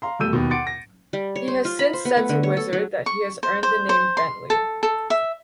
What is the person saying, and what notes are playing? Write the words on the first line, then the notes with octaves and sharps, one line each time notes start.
He has since said to Wizard that he has earned the name "Bentley".
F5 A#5 C6
E1 G3 A3 E6 G6 D#7
D#2 B2
F#5 C6 D6 A6 C#7 D7
A#6
G3
C#5
C5
F4
B5
C5
B3
A3
D3
C#5
A4
F#3
C#6
C5
C5
C5
C6
A4
A4
E5